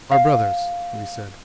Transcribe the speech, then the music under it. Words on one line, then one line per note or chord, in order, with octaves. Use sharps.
"Our brothers!" we said.
F5